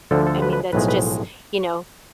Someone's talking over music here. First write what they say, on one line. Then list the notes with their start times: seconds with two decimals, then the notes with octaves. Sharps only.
I mean that's just, you know,
0.11 D2 D3 F3 A4
0.27 A4
0.42 B4
0.53 B4
0.73 B1 A2 F3 G#3 B4
0.88 B4